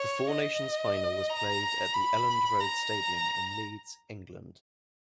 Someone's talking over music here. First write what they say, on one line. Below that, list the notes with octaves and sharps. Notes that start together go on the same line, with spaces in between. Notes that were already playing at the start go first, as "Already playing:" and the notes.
The Four Nations Final was played at the Elland Road stadium in Leeds, England.
Already playing: C#5
D#5
A#5
B5
A#5